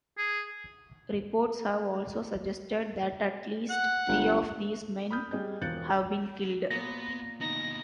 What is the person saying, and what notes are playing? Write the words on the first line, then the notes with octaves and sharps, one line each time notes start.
Reports have also suggested that at least three of these men have been killed.
G#4
F#5
G1
B5 D#6 F6 G6
G3 G#4 D#5 G6
E1 F3 F#6 G6 A6 C#7
A#2 B3 D5 A#6
D2 B3 D#4 A#6